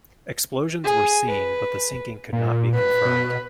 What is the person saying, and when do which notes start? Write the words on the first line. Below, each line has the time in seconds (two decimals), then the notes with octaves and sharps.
Explosions were seen, but the sinking could not be confirmed.
0.84 G#4
1.27 B4
2.33 A#2
2.76 B4
3.05 B2